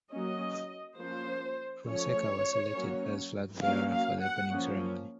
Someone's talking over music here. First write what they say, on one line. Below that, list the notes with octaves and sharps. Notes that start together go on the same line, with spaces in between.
Fonseca was selected as flag bearer for the opening ceremony.
F#3 A#3 C#4 D#5
F3 A#3 C#4 C5
F3 A3 C#4 C#5
F#3 A#3 C#4
F#3 A#3 C#4 F5
F5
F#5
F3 A#3 C#4